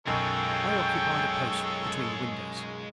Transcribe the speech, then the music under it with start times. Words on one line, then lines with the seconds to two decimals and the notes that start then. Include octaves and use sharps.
I occupied a post between the windows.
0.07 B1 F#2 G#3 F4 A4 C#5 G5